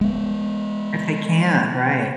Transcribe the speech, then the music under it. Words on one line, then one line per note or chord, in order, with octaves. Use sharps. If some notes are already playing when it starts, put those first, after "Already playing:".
If they can, right.
G#3 B3